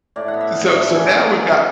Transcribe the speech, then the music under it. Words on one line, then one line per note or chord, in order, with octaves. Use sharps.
so so now we've got
A2 D5
F#5
B3
E5
A2
D4 A4
B4
C#4 G#4
F#3
C#4 F#4
G#4
E4
F#4